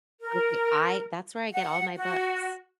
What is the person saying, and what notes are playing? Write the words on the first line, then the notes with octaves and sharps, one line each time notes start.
Okay. I That's where I get all my books.
A#4
F#5
F#4